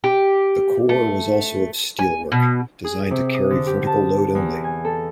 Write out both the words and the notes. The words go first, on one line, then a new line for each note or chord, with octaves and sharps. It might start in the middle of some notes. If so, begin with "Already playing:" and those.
The core was also of steelwork, designed to carry vertical load only.
G4
A3
G#5
B2
G#4
C3
D#6
D3
G4
A5
E2
G#5
A4